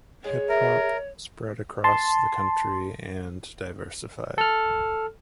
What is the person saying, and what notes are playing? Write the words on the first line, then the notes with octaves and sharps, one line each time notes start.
Hip hop spread across the country and diversified.
G#3 G#4 C#5
A#4 E5
A5 C6
A4 F6